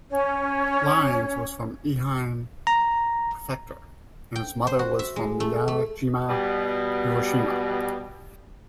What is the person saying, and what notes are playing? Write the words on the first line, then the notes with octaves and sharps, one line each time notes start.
Lines, was from Ehime Prefecture, and his mother was from Miyajima, Hiroshima.
C#4 C#5
A#5
G5
C5
F#4
E5
G#3
A3
A3
B2 G3